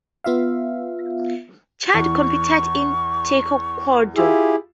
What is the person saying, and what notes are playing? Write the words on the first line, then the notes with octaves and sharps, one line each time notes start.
Chad competed in Taekwondo.
B3 F4 E5 F5
E2 C#6
E4 F4 G4 G#4 E6